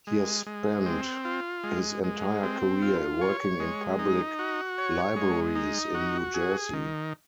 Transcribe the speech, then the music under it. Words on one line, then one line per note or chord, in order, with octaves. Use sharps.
He has spent his entire career working in public libraries in New Jersey.
G#3
G#3
C4
F4
G#3
G#3
C4
F4
C#5
G#3
D#4
F#4
C#5
G#3
D#4
F#4
G#4
D#3